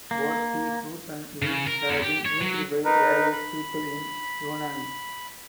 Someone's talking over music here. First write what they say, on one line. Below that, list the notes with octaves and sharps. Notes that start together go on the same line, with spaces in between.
Both the fruit and leaves have been used by various peoples in Yunnan.
A#3
C#3
A#4
E2
G4
C#5
F#3
D#4 A#4 B4
B5